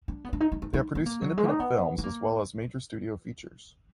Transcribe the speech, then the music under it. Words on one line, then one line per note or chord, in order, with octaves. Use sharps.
They have produced independent films as well as major studio features.
D4
B3
D4
D#4
D#4
D#4
D#4
B3
A#3
F#3
G#3
D#4
B3
B3
A#3